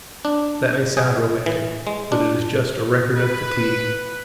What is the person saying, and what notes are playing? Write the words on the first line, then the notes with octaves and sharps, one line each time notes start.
That may sound romantic--but it is just a record of fatigue.
D4
G#4
E3
G#3
D4
B4